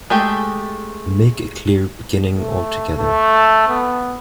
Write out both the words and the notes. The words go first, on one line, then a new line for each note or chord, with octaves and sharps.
Make a clear beginning altogether.
G#3 A3 G4
A3
A3
B3